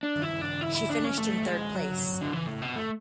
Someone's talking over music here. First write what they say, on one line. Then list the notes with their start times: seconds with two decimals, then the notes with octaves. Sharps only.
She finished in third place.
0.03 D4
0.22 E4
0.41 D4
0.61 E4
0.75 E4
0.90 D4
1.04 C#4
1.18 A3
1.47 G#3
1.75 F#3
2.21 D3
2.33 E3
2.46 A2
2.62 B2
2.76 A3